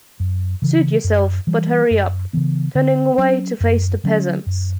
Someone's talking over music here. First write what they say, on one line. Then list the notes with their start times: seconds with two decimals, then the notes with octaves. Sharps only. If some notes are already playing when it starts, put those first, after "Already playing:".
Suit yourself, but hurry up. - Turning away to face the peasants.
0.20 F#2
0.62 C#3 E3
1.04 F#2
1.47 E3 G3
1.91 F#2
2.33 C#3 E3 B3
2.75 D3
3.18 F#3 C#4
3.61 F#2
4.04 D3 F#3 C#4
4.46 F#2